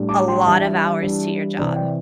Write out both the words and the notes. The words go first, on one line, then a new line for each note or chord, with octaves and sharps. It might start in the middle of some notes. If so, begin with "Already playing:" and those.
a lot of hours to your job.
Already playing: A2 G3 D4
A5 D6
G5 C6
E3 G3 D4 E5 A5
E3 G3 D4
C3 E3 C4 E4 D5
D5 G5